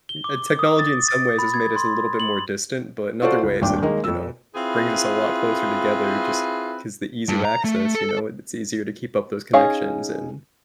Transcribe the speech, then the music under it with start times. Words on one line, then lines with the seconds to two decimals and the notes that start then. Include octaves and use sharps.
eh, technology in some ways has made us a little bit more distant, but in other ways it, you know, brings us a lot closer together just 'cause the ease of access, you know, it's easier to keep up those connections, and
0.09 G7
0.24 D6
0.59 D#6
0.79 A6
1.08 A6
1.39 B5
1.54 G#6
1.76 C6
2.20 F#7
3.22 F4 F#4 A4 C5 D5
3.43 C#2
3.62 D#1 G#1 D4 G5 D6
3.82 D#3 G#3 A#3
4.04 F2 E6
4.55 C4 E4 F4 G#4 B4
7.29 G2
7.45 A#5
7.64 A3
7.95 A4
9.53 C#4 D#4 G#4 C#5 F5